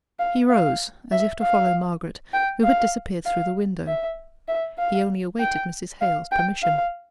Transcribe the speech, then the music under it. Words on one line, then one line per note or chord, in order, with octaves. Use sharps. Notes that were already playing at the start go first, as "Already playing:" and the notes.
He rose, as if to follow Margaret, who had disappeared through the window he only awaited Mrs. Hale's permission.
F5
F5
E5
F5
G5
F5
F5
E5
E5
F5
G5
F5
G5
F5